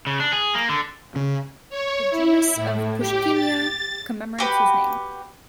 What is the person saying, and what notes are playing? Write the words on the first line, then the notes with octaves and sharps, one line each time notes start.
The genus of Puschkinia commemorates his name.
C#3
D4
G#4
A#3
D3
C#3
C#5
E4
A2
G4
A6
F#4 G4 B4